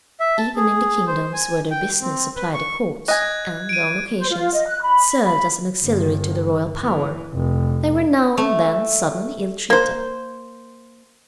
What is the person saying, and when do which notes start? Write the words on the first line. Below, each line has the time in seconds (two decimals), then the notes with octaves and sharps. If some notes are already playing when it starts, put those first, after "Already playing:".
Even in the kingdoms where their business supplied the courts, and, on occasions, served as an auxiliary to the royal power, they were now and then suddenly ill-treated.
0.20 E5
0.38 A5
0.56 G#4
1.07 C5
1.33 G#5
1.70 G5
2.01 C4
2.36 B4
2.54 C#6
3.08 D#5 G#5 F#6 G#6
3.69 D7 D#7
4.18 C5
4.30 F4
4.53 D#5
4.67 F#6
4.81 B5
5.24 B5
5.84 G1
6.81 E3
7.34 F1
8.37 A3
9.70 A#3 C5